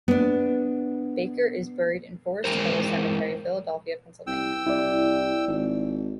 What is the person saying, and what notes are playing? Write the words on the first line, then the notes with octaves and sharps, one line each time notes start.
Baker is buried in Forest Hills Cemetery, Philadelphia, Pennsylvania.
B3 D4
E3 G#3 G4 A#4 C5
C2 G5 E6
C2 E4 D5
G#1